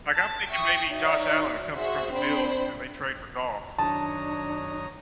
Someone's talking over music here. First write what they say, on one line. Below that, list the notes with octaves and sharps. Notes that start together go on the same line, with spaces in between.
Like, I'm thinking maybe Josh Allen comes from the Bills, and they trade for Goff
A5
E5 G5 C#6 D#6
D#4 F#4 C#5 D5 E5
F#4 G#4 C5 E5
C4 D4 C5 B5
F#2 D#3 D4 C#5 A5 A#5 D#6